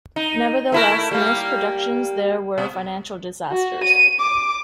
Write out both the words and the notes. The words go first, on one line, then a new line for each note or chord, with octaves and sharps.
Nevertheless, most productions there were financial disasters.
D#4
A3 E4 A#4
G3 A#3
B2
F#4
D#7
D6